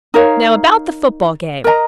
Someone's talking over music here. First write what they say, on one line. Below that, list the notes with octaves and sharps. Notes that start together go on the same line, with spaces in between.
Now about the football game.
D#4 A#4 C#5 F5
A#4 D#5 A#5